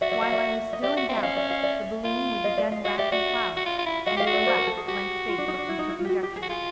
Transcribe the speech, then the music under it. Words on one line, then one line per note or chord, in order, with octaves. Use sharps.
While I was still in doubt, the balloon was again wrapped in clouds, and we were left to blank space and to conjectures.
F#4 D5 E5
D5 E5
D#5 F5
D5 E5
D#5
G4 D5 E5
F#4
C4
E5
C#4 D#5 F5
D5 E5
D#5 F5
D5 E5
F4
D#5 F5
D5 E5
D#5 F5
F#4 D#5 F5
G4 D5 E5
F#4 D5 E5
F#4
F4
F4
E4
F#4 D#5 F5
G4 D#5 F5
F#4
D5 E5
C5 D5
A#4
A4
G#4
F#4 G4
F4
D4
D#4
C#4
D4
E4
D#4
E4
F4
G4
F#4
G4
G#4
F#4
F4 G#4